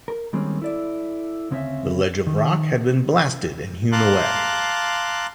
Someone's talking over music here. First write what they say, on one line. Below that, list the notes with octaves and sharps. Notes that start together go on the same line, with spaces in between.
The ledge of rock had been blasted and hewn away.
A#4
D#3 G3 G#3 A#3 C4 C#4
E4 A4 D5
D2 C#3 C4 C#4 G#4 E5
D#3
F5 A5 A#5 C6 D6 F#6